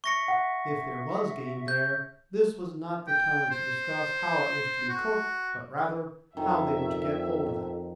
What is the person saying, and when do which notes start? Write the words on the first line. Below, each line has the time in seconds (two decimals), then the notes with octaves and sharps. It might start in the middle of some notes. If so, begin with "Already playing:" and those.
If there was game there this was not the time to discuss how it was to be cooked, but rather, how they were to get hold of it.
0.04 E5 C#6 A#6 C#7
0.28 F#5
1.68 G6
3.07 G5
3.51 C5
4.89 F#4
6.37 F2 D#3 E5